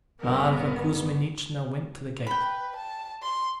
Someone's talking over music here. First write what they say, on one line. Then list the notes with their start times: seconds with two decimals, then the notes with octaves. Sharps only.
Mavra Kuzminichna went to the gate.
0.23 G1 B3 A#4
2.27 B4 G5 B5
2.76 A5
3.22 C6